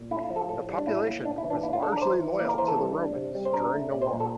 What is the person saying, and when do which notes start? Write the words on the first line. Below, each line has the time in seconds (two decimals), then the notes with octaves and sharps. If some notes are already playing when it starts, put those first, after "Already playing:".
The population was largely loyal to the Romans during the war.
Already playing: A#2
0.11 A3 E4
0.24 F4
0.30 F3
0.36 A4
0.49 A2 A4
0.68 G3
0.78 D4
0.87 A2 E4
1.06 A#3
1.25 D4
1.38 E4
1.44 E3
1.50 D4
1.63 A#3 E4
1.73 F4
1.82 D4 A4
1.92 A#4
1.97 D5
2.01 E3 C5
2.20 E3
2.39 A#3 D5
2.49 A#4
2.58 E3 C5
2.68 A4
2.78 G3
2.97 D4
3.16 C3
3.35 G3
3.45 C5
3.53 D4 A#4
3.73 A3
3.92 A#2 D5
4.02 C5
4.11 A#2
4.20 A4